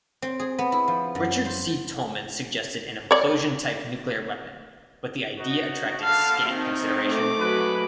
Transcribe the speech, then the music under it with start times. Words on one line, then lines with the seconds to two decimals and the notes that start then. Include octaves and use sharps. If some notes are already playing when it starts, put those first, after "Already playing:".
Richard C. Tolman suggested an implosion-type nuclear weapon, but the idea attracted scant consideration.
0.22 C4
0.40 G#4
0.59 B3
0.72 E4
0.88 F3
1.15 F#2
1.45 C5
3.11 C#5 D5
5.39 D#4 F#4
6.00 D3 F5 A5
6.49 F#2 D#3 C4 D#4
7.06 A3 D6
7.40 G#2 F#3 B4